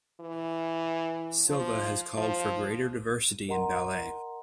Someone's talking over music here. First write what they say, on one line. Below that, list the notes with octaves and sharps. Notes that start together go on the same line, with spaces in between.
Silva has called for greater diversity in ballet.
E3
F3
F3
A#4 D#5 F#5 A#5 C6